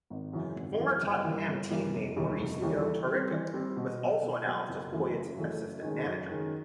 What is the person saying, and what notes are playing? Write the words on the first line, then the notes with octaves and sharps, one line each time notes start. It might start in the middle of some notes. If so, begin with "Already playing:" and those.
Former Tottenham teammate Mauricio Taricco was also announced as Poyet's assistant manager.
G#1
F#2 C#3 E3
G#1
F#2 C#3 E3
G1
G2 E3 G3 A#3
G1
G2 E3 G3 A#3
F1
D#2 C#3 E3 G3
F1
D#2 C#3 E3 G3
E3
G3 C4
E3
G3 C4
B2
F#3 B3
B2
F#3 B3
F#1
F#2 C#3 E3 A3
F#1
F#2 C#3 E3 A3
F#2
D#3 G#3 C#4
F#2
D#3 G#3 C#4